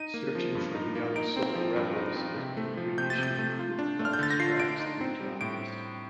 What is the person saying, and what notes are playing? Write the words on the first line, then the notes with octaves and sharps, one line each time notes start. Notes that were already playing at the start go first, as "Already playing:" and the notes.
"Searching for the Young Soul Rebels" has been reissued with bonus tracks three times.
Already playing: D#4 D#7
A#3
F3
G2
D#4
A#3
D#4 D7
C4
F3
G2
D#4
C4
C3
A3
F3
C3 G6
A6
C3 G6
A3
F4
D4
A3
F6
G6
D3 A6
A#6
F4 C7
D4 D7
D#4
C4
G3
A2 D7